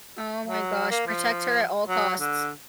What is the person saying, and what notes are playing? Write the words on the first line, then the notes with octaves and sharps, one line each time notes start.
Oh my gosh. Protect her at all costs.
F#3
A#3
F3
F#3
D3